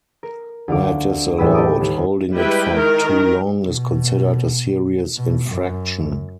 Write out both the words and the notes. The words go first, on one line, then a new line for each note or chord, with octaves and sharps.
Where it is allowed, holding it for too long is considered a serious infraction.
A#4
D2 F5 D6
E2 A2 G3 B4 E6 E7
G4 D#5 A5 D6 D#6
D#2
G3 G#3 E4 B4 G5
D#3 A#4
B2
B2
F#2